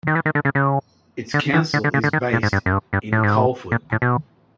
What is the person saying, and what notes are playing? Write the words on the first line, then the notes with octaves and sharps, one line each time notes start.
Its council is based in Coleford.
D#3
E3
D#3
D3
C#3
C#3
D3
E3
D3
D3
C#3
D3
D#3
A#2
G#2
G2
F#2
G2
G2
A2
G#2
A2
A#2
A2
B2